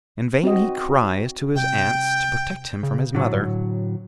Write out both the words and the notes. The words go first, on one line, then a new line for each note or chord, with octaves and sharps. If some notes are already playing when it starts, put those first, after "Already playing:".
In vain he cries to his aunts to protect him from his mother.
C4 F#4 D#5
C3 G5
C#3
A2 D3 F#3